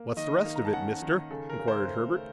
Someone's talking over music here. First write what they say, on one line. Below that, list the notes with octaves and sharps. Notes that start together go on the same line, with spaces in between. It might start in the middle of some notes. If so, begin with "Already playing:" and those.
"What's the rest of it, Mister?" inquired Herbert.
Already playing: A#3
D#3 D#5
D#3 F5
A#5
A5
C#4 F#5
D#3
C#3 A4
A#4
C#3
C5
A3
A3